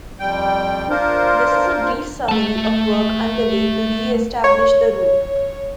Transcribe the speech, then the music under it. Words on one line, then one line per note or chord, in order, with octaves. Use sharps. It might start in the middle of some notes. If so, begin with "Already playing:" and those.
This is a brief summary of work underway to reestablish the route.
F2 G3 G5
D4 F4 A#4 C5
A3 A5
C#5